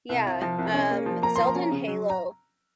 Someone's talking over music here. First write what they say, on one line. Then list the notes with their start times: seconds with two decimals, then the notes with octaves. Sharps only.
Yeah, um, Zelda and Halo
0.09 C2
0.26 C2
0.42 F3
0.59 C2
0.74 C#4
0.91 A#3
1.06 F3
1.22 A#3 A#5
1.36 F3 C6
1.47 A#5
1.55 C#4
1.71 C#3
1.87 F#3
2.10 A#5